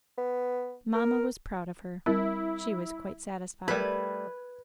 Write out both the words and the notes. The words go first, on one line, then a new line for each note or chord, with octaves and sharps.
Mamma was proud of her; she was quite satisfied.
B3
A#4
G3 C4 E4 A#4
G3 A3 G4 A#4 B4 D5 G#6